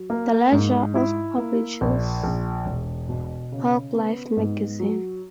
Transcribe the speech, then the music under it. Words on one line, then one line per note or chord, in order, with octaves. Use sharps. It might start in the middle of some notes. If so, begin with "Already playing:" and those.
"The Ledger" also publishes "Polk Life" magazine.
Already playing: F#3
A#3
G#2
E4
A#3
A#1
A#1
E1
B2
C#3
B3
G#2
F#3